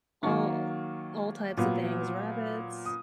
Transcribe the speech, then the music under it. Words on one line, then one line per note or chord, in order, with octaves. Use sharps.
all all types of things, rabbits,
D#3 F#3 A#3 C#6
A#2 F#3 B3
D#6